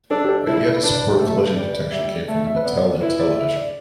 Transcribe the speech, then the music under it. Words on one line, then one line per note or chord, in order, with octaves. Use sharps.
The idea to support collision detection came from the Mattel Intellivision.
D4 A4
G4
A4
E4 A4
B4
D4 B4
D5
B4
G4
A3 A4
B4
G3 D5
B4
D5
G3 E5
D5
A3 E5
E5
B4
B3 D5
D5
E4 B4
D5
E5
D5